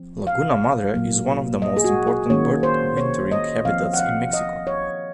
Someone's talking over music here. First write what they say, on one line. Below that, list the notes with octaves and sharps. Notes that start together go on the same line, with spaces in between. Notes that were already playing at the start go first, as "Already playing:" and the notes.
Laguna Madre is one of the most important bird wintering habitats in Mexico.
Already playing: F3 C4
F5
A#2 F#3 A#3
D#5
G#4
F#4
G#4
D#3 A#3 C#4 C#5
C5
C#5
D#5
F3 C4 F5
F#5
F5
D#5
C#5